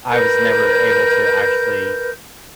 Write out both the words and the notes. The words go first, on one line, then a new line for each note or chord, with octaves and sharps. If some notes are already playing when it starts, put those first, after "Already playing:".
I was never able to actually
A#4 B4 G6